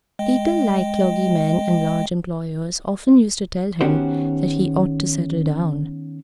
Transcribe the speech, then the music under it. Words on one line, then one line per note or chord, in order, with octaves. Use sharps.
People like clergymen and large employers often used to tell him that he ought to settle down.
G#3 D#5 G5
D#3 B3 C#4 F#4 G4 C5